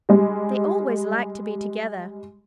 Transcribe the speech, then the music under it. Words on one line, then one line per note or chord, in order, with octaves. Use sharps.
They always like to be together!
G3 G#3